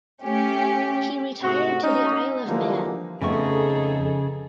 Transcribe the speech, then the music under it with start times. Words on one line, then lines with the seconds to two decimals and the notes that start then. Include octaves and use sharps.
He retired to the Isle of Man.
0.23 A3 C#4 G4
1.42 G#2 C3 A3 F#4
1.82 C#4 D#4
2.46 D3 E3 F3 G3 G#3 A#3
3.22 F2 C#3 A3 B3 D#4 G#4 A4 C#6